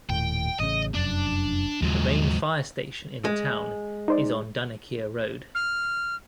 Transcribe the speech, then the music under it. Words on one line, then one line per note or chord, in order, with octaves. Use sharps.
The main fire station in the town is on Dunnikier Road.
D#1 A2 G5
A1 C#3 D#5
F1 F#2 D4
D#2 G#2 C#3 F3 F#3
G#3
D#4 C5 D5
F6